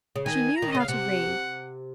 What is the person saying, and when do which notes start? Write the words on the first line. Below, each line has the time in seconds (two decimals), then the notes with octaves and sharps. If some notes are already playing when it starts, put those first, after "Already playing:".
She knew how to read.
0.16 C#3
0.26 D#3 G#5
0.56 A#5
0.62 D#3
0.72 C#3 D#5
0.80 F5
0.88 C3 F#5